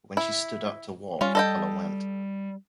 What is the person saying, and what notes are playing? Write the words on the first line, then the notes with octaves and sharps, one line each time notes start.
But when she stood up to walk, the colour went.
E4
G3 C#4 F4
A4 D#5 G5